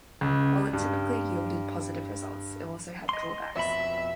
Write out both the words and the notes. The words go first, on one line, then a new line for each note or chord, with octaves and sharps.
While it typically yielded positive results, it also had drawbacks.
C#2
G2
D#5 C6
F2 B2 E5 B5